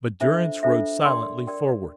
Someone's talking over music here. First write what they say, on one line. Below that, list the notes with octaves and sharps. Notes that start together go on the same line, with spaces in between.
But Durrance rode silently forward.
D4 F4 A4 C5 E5
D4 F4 A4 C5 E5
A#4 D5 G5 C6
A#4 D5 G5 C6